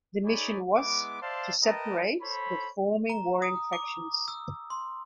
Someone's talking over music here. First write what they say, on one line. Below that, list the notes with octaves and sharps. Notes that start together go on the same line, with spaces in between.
The mission was to separate the forming warring factions.
D#4 G#4 C#5 D5 G#5 B5
G#3 B3 E4 D6
C5 D5 E5 F5 A5 C6
A#4 B4 D#5 G5 A5 A#5
A4 C5 C#5 B5
A#5
D#6
D6
E6
C6